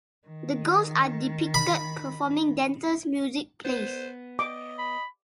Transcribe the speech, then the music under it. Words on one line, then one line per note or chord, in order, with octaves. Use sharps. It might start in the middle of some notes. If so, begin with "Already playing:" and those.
The girls are depicted performing dances, music, plays.
D#3
B5
B3 C5
D#5 D6
B5